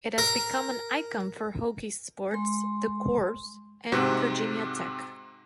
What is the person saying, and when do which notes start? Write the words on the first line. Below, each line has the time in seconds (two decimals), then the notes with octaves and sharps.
It has become an icon for Hokies sports, the Corps, and Virginia Tech.
0.18 A#4
2.31 G#3 C6
3.92 G#2 C3 C4 F#4